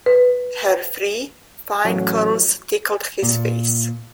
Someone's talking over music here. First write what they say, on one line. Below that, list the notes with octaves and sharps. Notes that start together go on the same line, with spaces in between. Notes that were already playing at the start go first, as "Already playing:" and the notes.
Her free, fine curls tickled his face.
B4
A1 F#3
A#2